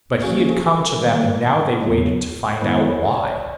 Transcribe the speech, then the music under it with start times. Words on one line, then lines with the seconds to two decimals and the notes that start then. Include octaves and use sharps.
But he had come to them and now they waited to find out why.
0.22 F3 A#3 C#4 F#4 G#4
0.49 A4
0.75 A#4
1.02 D#3 G3 A#3 B4
1.81 E2 C#3 F#3
2.60 D#3 G#3 B3 E4 C5
2.87 C#5
3.13 D5
3.40 C#5